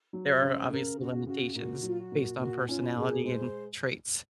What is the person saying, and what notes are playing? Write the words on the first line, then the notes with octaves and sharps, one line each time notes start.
there are obviously limitations based on personality and traits.
F#3
C5
C#3
C#3 A#4
C#3 F#4
C#3 F#4
A#2 F#4
F#3 F4
F#4
A#2
A#2 F#4
C#4 F4
A#2 G#4
G#3 C5